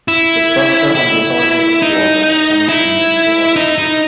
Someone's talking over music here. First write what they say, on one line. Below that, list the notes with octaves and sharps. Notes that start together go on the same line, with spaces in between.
The structure and the authorities of the wards are determined by municipal ordinances.
E4
E4
D#4
E4
D#4
D#4